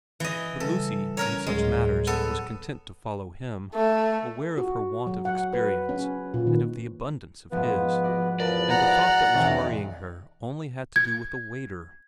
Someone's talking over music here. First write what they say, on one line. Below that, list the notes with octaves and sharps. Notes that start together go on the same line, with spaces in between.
But Lucy in such matters was content to follow him, aware of her want of experience and of the abundance of his, and the thought that was worrying her only had to do with a waiter.
E3 D#5
C#3 G3 A4 B4
C#4 A#4 C#5 A#5
D2 A2 F#3 G#3
B3 A4
A3
F#4
F#3
F#5
B4
C#4
A#2
D#3
G#2 F3 B3 B4
F#4 D5
E2 F3 A#4 B4 D5
F#5 A#5
B1 E2 D#3 C4 C#4
G#6